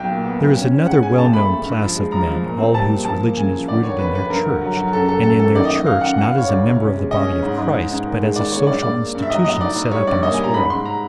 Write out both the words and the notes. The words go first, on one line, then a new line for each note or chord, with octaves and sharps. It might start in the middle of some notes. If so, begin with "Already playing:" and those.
There is another well- known class of men all whose religion is rooted in their church, and in their church not as a member of the body of Christ, but as a social institution set up in this world.
Already playing: B1 G5
A#2
B3
B1
C#4
C#4
G#3 F#5
G#3 G#5
G#1 A5
A3 B5
A3
G2
F3
G#3
F3 A#5
F3
A#2
C4
G3 A5
A#2
F3 A5
A#3
C#3 G#5
F3
D3 D5
D#2 C#5
F1 B4
F1 B4
G2 A#4
D3
F#3
F#3
F#1 A4
F#1 A4
F#1 A4
F#1 A4
D#3 D5
D#5
A3
D#5
D#3 F5
F#2 F#5
E3 F#5
F5
E3 C#5
D2 D5
C3
C#4
G#3
C#4 D#5
C#4
G#2
G#2
E3
G#2
D#2
G#3
D#3 D5
G#3 C#5
G2 D5
G2 D5
A#3
G2
E5
F#3 D#5
A2 D#5
D#4 D5
A2
G3 C#5
G2 D5
A#3 D#5
G#5
G3
A#5
G#2 B5
G#2 C6
A#5